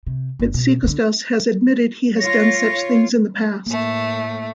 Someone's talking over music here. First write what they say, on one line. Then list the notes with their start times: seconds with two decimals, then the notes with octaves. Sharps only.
Mitsikostas has admitted he has done such things in the past.
0.07 C3
0.39 G1
0.54 B2
0.84 D3 D#3
2.20 F4 C#5 A#6
3.67 A2 A3 A#3